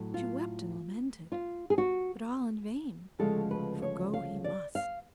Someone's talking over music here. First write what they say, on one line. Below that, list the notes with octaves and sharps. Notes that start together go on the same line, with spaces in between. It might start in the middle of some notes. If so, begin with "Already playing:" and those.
She wept and lamented, but all in vain, for go he must.
Already playing: A2 F#3 A3
F4
F4
G#4
F#4
D2 C#3 F3 G#3 A4
B4
C#5
F5
D5
F5